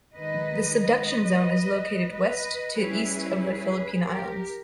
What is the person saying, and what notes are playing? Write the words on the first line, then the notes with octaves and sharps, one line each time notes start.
The subduction zone is located west to east of the Philippine Islands.
D#3 G#3 D#4 B4 D#5
B4 D#5
B4 D#5
G3 C#4 E4 G#4 B4
G#4 B4
G4 A#4